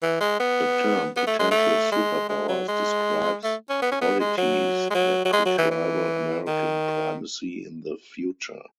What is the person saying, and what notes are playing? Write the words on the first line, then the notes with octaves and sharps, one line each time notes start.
The term "potential superpowers" describes polities that could rival American primacy in the future.
E3
G#3
B3
B3
A3
G#3
A3
G#3
G#3
F#3
G#3
A3
C#4
B3
C#4
B3
G#3
F#3
G#3
F#3
F#3
G#3
F#3
E3
E3
D#3